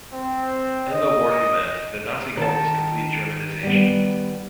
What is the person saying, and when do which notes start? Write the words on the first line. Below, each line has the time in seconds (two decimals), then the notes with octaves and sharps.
In the "Wartheland", the Nazi goal was complete Germanization.
0.12 C4
0.91 D#5
2.37 D#3 A5
3.63 G3 B3